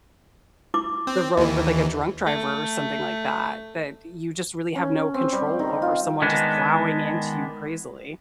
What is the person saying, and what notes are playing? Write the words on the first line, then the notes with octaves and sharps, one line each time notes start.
the road with, like, a drunk driver or something like that, that you just really have no control over someone just plowing into you crazily.
E4 D6
C4
D#2 E3 D#5
A3
C#4
C4
G3
D#3
F4
D#3 G#3 B3 D4